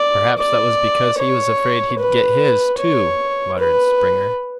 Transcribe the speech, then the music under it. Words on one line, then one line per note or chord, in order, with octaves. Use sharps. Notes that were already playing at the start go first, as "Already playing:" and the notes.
"Perhaps that was because he was afraid he'd get his, too," muttered Springer.
Already playing: D5
D5
C#5
B4
C#5
B4